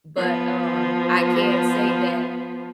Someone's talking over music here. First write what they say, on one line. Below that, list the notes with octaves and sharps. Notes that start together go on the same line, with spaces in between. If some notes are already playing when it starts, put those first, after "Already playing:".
but, um, I can say that,
F3 B3